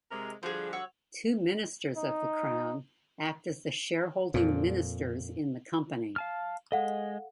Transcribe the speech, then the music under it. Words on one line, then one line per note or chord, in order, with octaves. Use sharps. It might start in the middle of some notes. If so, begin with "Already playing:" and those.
Two Ministers of the Crown act as the shareholding ministers in the company.
C3 G#3 A#4
D3 F3 G3 F#4 G#4 C5
C#5 F#5 E6
D#4
F2 A#2
F5 A5 F6
G#3 A4 D#5 F5 F#5